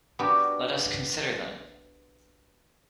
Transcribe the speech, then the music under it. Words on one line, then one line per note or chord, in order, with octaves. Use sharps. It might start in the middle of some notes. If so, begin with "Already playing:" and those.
Let us consider them!
B3 D4 F#4 G4 A#4